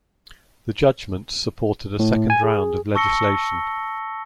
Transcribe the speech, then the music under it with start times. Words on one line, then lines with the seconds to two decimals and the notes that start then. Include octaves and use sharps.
The judgments supported a second round of legislation.
1.99 A2
2.30 G#5
2.44 G#4
2.95 A5 C#6 E6 A#6 C#7 G7